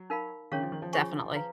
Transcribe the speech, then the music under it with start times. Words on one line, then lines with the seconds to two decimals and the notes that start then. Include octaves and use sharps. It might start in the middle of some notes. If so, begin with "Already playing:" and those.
M definitely.
Already playing: F#3
0.10 D#4 A#4 F5 B5
0.52 D#3 C#4 G#4 C#5 F5
0.62 F3
0.72 D#3
0.82 F3
0.93 F4 G#4 C#5 G#5 C#6
1.35 B4 F5 A#5